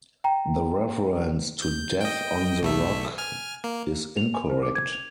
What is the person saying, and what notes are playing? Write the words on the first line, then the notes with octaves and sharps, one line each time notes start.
The reference to Death On The Rock is incorrect.
G5 A#5
G6
D#5 G5
B1 A3 E5
G#5 F6
A#3
F7
G#5
C5
D6
G#6
F7